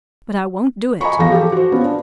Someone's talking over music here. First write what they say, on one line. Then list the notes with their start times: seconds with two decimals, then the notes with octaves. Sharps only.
But I won't do it!
1.01 D#5 G#5 A#5 B5 C#6
1.19 E2 F3 A4 F5 A#6
1.32 G4 A4
1.52 F#4 C5
1.72 B3 C#4 F4
1.85 D4